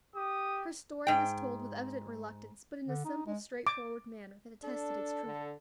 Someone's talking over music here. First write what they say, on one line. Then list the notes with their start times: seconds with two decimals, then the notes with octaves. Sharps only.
Her story was told with evident reluctance, but in a simple, straightforward manner, that attested its truthfulness.
0.16 G4 D#6
1.07 G#2 G5
2.87 D3
3.05 D#4
3.26 G#3
3.67 D6
4.64 D4 A4
5.25 D3